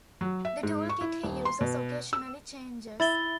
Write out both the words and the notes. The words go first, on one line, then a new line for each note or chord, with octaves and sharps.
The toolkit he uses occasionally changes.
F#3
E5
G#2
C#6
E4
D#1
C6
B2
E6
E4 B5 A6 G7